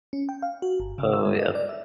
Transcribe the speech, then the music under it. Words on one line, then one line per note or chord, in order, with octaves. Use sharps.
Oh, yeah.
C#4
G5
F5
F#4
G1
C#3
E6
G#3
D#5
D5
E5